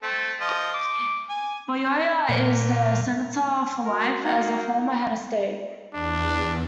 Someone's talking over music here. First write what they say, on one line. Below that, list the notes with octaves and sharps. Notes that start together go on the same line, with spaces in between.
Buyoya is a Senator for life as a former head of state.
A3 C4 A4
F3 D#5 C6
D6
G#5
A#2
F#4 A#4
A#3 D#4
E2 D4